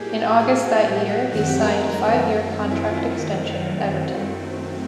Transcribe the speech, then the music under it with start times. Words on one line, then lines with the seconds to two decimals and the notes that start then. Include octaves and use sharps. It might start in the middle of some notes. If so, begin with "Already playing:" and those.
In August that year, he signed a five-year contract extension with Everton.
Already playing: A2 F#3 A#3 D#4 G4 G#4
0.40 G#4
0.63 F#4
0.86 G4
1.09 F#4
1.32 F#2 D#3 F#3 A3 C4 F#4
1.47 G4
1.63 A#4
1.78 A#4
1.89 A#4
2.01 A#4
2.12 A#4
2.71 E4
2.86 F4
2.95 E4